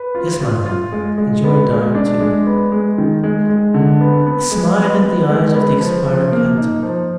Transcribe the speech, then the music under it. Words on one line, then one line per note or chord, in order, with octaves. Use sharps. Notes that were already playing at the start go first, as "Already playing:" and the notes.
"Yes, my man, and you are dying too." A smile lit the eyes of the expiring Kentuck.
Already playing: B4
F4
F4
F4
G#3
G#3
B3
G#3
D4
G#3
B3
G#3
D#3
G#3
G#3
D3
B3
B3
G#3
B3
B3
G#3
B3
F3
F3
A#3
D#4
F3